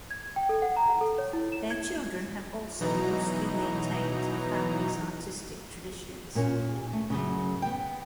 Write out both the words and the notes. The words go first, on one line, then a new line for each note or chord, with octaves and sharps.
Their children have also mostly maintained the family's artistic traditions.
G#6
G5
A4
F#5
A#5
F#5
A4
C#5
E4
E7
G#6
B2 E3 F#3 D#4 A#5
A#2 A#3 C#4
A3
F#2 A2 C#3
B3 G5